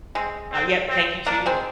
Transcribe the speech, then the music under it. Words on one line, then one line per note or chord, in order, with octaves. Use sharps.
Oh, yeah, eh, thank you, too.
G#3 C4
C4
C4
A#3 D4
G#3 C4